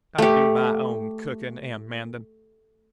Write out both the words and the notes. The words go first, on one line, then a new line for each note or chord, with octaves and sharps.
I do my own cooking and mending.
A3 G4